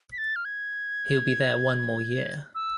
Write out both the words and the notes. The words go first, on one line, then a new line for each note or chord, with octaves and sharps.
He'll be there one more year.
B6
A6
F6
G#6
E6